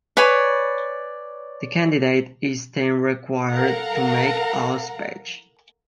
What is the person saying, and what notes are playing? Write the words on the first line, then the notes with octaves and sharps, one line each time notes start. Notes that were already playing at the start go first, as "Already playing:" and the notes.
The candidate is then required to make a speech.
B4 C#5 D5 G#5
A4 A#4 F5 F#5 A#5